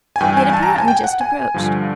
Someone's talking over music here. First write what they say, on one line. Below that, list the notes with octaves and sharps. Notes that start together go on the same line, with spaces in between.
He had apparently just approached.
G#5
G2 E3 G5
G#5
G#5
A5
A#5
A5
G#5
G5
F#5
G#5
G2 D3 F3